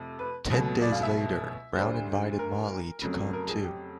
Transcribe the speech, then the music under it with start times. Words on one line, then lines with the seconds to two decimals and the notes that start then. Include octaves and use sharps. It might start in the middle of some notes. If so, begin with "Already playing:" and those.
Ten days later, Brown invited Motley to come, too.
Already playing: F2 C3 F3 A3
0.19 B4
0.50 C#2 B2 F#3 A3
0.82 D5
0.92 F5
1.03 E5
1.76 D2 D3 G3 C5
2.39 A#4
3.02 F2 C#3 F#3 A3
3.33 A#4
3.49 G#4
3.65 G4